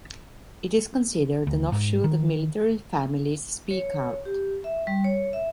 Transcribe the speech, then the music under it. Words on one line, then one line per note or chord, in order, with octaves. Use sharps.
It is considered an offshoot of Military Families Speak Out.
D2
G#2
D#3
C#5
G4
E5
G3
C#5
E5